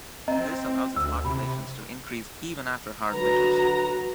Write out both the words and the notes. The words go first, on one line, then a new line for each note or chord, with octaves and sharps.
This allows its populations to increase even after hard winters.
C4 D#5 A#5
D2 E6
C3 B5
D3 F#3 F#4 B4 A#5